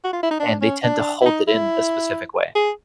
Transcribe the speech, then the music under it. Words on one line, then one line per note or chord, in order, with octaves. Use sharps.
and they tend to hold it in a specific way.
F#4
F4
E4
D#4
D4
C#4
D4
E4
D#4
E4
G#4